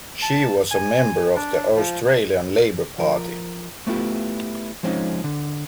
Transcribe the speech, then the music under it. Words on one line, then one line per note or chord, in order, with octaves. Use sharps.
She was a member of the Australian Labor Party.
A5
G#5
D4
F3
F3 A#4
A3 B3 E4 F4 G4
F3 G#3 C4 C#4 D#4 F4
D3